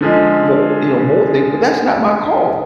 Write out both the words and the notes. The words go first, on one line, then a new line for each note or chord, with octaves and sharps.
mor you know, more things, but that's not my call
D3 F3 G#3